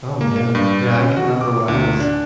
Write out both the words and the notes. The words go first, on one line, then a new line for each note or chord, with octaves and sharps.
Oh, man. Yeah, I can remember when I was,
A#3
A#3
G2
C#4
F#4
D6
D2
D4